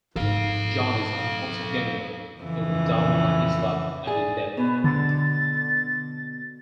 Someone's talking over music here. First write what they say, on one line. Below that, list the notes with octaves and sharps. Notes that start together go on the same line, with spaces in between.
Johnny is a compulsive gambler who is down on his luck and in debt.
G#2 F3 A4 F5
F2 C#3 E3
G#4 D5
B2 B4
D3 A6